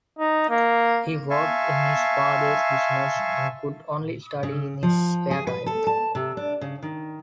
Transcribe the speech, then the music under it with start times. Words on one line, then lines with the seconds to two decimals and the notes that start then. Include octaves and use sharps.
He worked in his father's business and could only study in his spare time.
0.19 D#4
0.50 A#3
1.30 E5 F5 G#5 A5 C6 C#6
4.43 C#3
4.83 F3
5.31 G#4
5.47 B4
5.66 A4
5.87 A5
6.15 C3
6.37 D4
6.61 C#3
6.83 D#3